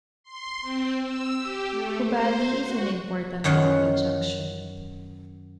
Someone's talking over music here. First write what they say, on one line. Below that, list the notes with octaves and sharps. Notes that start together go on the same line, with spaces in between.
Hubballi is an important railway junction.
C6
C4
E6
G4
A3
C5
F#4
F#2 D#3 C#5 F#5 C6